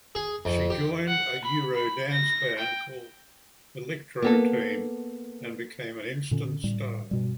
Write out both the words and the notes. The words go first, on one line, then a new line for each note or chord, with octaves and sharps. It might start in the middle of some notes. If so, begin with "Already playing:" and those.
She joined a eurodance band called Electro Team and became an instant star.
G#4
F2
G4
F#5
B5
B5
A#6
G5
A#3 B3 A4
A#2 D3 C#4
A2 G3
G2 B2 G3